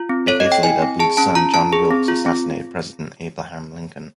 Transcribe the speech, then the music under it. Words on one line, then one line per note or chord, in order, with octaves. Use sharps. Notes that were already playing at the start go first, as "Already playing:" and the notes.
Decades later, Booth's son, John Wilkes, assassinated president Abraham Lincoln.
Already playing: F4
C4
A4 C#5
D#5
C4
G5
E4 G#5
C4
G#4 A5
C#4 A5
F4 A#5
C#4 A5
G#4
C4
F4
C4